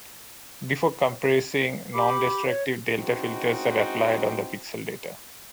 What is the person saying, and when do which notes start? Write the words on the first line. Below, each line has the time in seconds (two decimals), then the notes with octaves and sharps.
Before compressing, non-destructive delta filters are applied on the pixel data.
1.94 G4 B5 D6
2.45 C#5
2.95 G#3 C4 C#4 D#4 E4 F#4